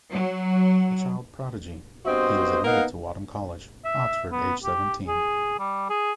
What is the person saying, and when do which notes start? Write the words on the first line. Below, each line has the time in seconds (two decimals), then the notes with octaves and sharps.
A child prodigy, he was admitted to Wadham College, Oxford aged seventeen.
0.11 F#3
2.06 G2 B3 C4 F#4 C5 D#5
2.64 A#3 B3 D#4 A#4 F5 F#5
3.85 E5
4.31 B3
4.64 G4
5.07 G#4
5.59 G3
5.89 G#4